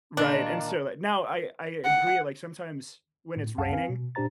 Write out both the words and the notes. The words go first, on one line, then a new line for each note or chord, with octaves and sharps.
Right, and so now, I I agree, like, sometimes when it's raining,
A#2 D#3 D4 F5
F#5
A2
C2 F#2 F5 F#5 A5
C4 B4 F5 G#5
B2
A#2 D4 G4 C5 A#5 A6